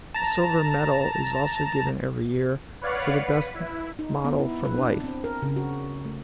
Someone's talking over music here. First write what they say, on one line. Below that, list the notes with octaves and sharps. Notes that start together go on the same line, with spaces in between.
A silver medal is also given every year for the best model from life.
A5 A#5
B4 C#5 D5 F5 F#5
B4
E4
D#4
B3
E4
B4
D4
C4
A#4
C#3
F#4
A3